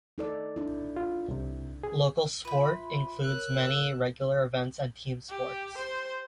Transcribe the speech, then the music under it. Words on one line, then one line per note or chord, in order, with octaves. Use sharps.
Local sport includes many regular events and team sports.
D#4 A4 D5
D4 E4
F4
C2 C3
G#4
F4 B4 E5 B5 C6
A#4 C#5 E6 F#6
G4
C5